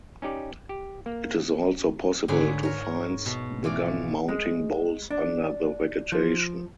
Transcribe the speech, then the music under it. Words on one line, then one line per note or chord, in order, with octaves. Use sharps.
It is also possible to finds the gun mounting bolts under the vegetation.
C#4 D#4 G4 D5
G4
A#3
G#2 D3 G#4 B4 C#5
A#4 C#5
B2
E3 F4 D5
G#3
D4
F3